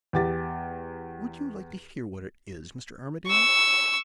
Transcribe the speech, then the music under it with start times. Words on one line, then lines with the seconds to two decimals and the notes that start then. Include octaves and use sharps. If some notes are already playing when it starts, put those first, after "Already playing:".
"Would you like to hear what it is, Mr. Armadale?"
0.13 E2 G4 A6
3.27 C#6 E6